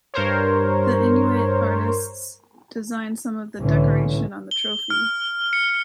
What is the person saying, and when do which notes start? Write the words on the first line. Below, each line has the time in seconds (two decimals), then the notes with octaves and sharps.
The Inuit artists designed some of the decoration on the trophy.
0.14 G2 A#4 C5 C#5
3.58 C2 A2 D3 E3 C#4
4.51 G7
4.90 F6
5.53 C#7